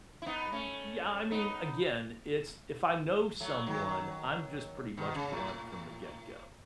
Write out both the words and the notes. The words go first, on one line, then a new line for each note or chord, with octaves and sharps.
I yeah, I mean, again, it's, if I know someone, I'm just pretty much blunt from the get-go.
E4
B3 D#4
A3 C#4
B3 D#4
F#3 A3
D#3 F#3
B2 D#3
C#3
A2